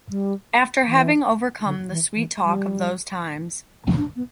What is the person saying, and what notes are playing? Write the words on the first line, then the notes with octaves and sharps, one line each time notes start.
After having overcome the sweet-talk of those times.
G3
E3
D3
E3
E3
G3
D4
B3